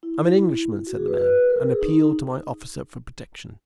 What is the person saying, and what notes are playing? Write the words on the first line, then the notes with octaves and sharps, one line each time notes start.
"I am an Englishman," said the man, "and appeal to my officer for protection."
E4
F#4
G#4
B4
B4
B4
A#4
G#4
D#4
D#4